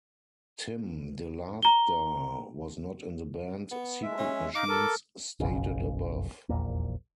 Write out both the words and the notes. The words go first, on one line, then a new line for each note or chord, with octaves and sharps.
Tim DeLaughter was not in the band Secret Machines stated above.
A#5 G7
B3
G#3 E5
C#4
D#4 D#5 F5 D6
A4 A#4
F#1 B1 F2 C#3
D#1 A#1 E2 A#3